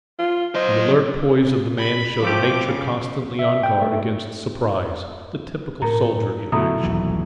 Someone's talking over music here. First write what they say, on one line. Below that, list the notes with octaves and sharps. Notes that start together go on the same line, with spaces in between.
The alert poise of the man showed a nature constantly on guard against surprise--the typical soldier in action.
F4
F#3 C5 D#5
B5
F3 A3 G4 D6
C#3
E5
G5
A3
A2 A#4 A#5
B2 D3 F#3 A3 E4 A#5 D#6
D#1 B1 E3